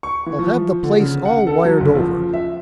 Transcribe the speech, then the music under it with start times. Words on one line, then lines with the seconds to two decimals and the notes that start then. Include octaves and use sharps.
I'll have the place all wired over.
0.03 C#6
0.26 E3
0.39 F3
0.83 D3
1.00 C#3
1.25 F#5
1.47 A4
1.65 F#3
1.80 F#1
1.95 F3
2.33 E5